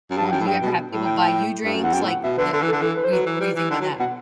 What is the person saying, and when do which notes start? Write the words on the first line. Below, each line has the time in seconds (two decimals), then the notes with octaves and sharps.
Or, do you ever have people buy you drinks? Like, the what what do you think about that?
0.10 F#2
0.17 G2 A5
0.28 F#5
0.32 F#2 G5
0.41 A2
0.47 G2 G5
0.62 B2
0.91 A2
1.05 G5
1.20 G5
1.65 G2
1.74 F#2
1.83 E2 F#5
1.93 F#2 G5
2.03 A2
2.09 F#5
2.23 B2 E5
2.37 D3 B4
2.53 D3 A4
2.62 E3
2.68 A4
2.72 D3
2.81 E3 A4
2.96 B4
3.04 C5
3.11 F#3 B4
3.26 E3
3.40 G3
3.56 E3
3.70 D3
3.81 F#3
3.99 B2 F#5